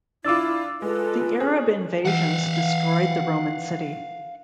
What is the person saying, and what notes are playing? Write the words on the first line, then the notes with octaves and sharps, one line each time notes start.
The Arab invasions destroyed the Roman city.
D4 E4 F4 D6 E6 A6
G#3 F4 A4 B4
C#4 G#4
E3 F5 F#5